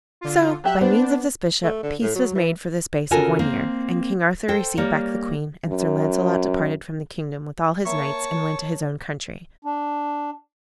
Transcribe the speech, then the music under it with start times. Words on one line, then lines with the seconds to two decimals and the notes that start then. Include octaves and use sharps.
So, by means of this bishop, peace was made for the space of one year; and King Arthur received back the queen, and Sir Launcelot departed from the kingdom with all his knights, and went to his own country.
0.21 D3 F4
0.64 F#3 G4 E5 F#6
0.81 B3 D4 C5
1.63 A3
1.83 D3
2.02 A2
2.15 F#3
2.35 E3
3.11 C#3 F4 F#4 A4 A#4 G#5
3.39 A#3 C4
4.48 A4 C5 G5
4.77 G3 A#3 C#5
5.68 F#2
7.85 A#3 C#5 E5 A5 C#6
9.65 D4